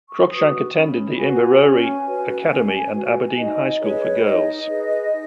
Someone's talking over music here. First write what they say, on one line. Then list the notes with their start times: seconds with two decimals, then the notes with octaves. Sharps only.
Cruickshank attended the Inverurie Academy and Aberdeen High School for Girls.
0.10 C#6
0.31 F#4 B4 D#6
0.75 C#4 B5
1.18 F#4 B4 G#5
1.62 C#4
2.06 F#4 B4
2.50 C#4
2.93 F#4 B4
3.37 D#4 D#5
3.80 G#4 B4 C#5
4.24 D#4 D#5
4.68 G#4 B4
5.11 D#4